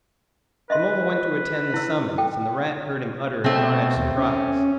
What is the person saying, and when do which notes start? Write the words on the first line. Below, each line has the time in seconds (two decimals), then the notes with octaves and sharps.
The Mole went to attend the summons, and the Rat heard him utter a cry of surprise.
0.70 B4 D#5 E5 C6
1.74 E4 E6
2.18 A4 G5
3.44 B2 A3 C4
3.97 D#2
4.18 C#4